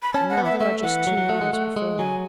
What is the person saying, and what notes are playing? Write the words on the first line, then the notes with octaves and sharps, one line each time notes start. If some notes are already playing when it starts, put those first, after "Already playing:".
And now there are just two lives before me.
B5
C#4 A5
F#5
B3
E5
A3 E5
E3 F#5
F#3
F#3
A3
G#3
A3
G#3
F#3 G#5